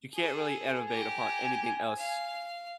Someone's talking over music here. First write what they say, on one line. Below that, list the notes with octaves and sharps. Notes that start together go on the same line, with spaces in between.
You can't really innovate upon anything else
G#4 A4 G#5
G4 A#5
F5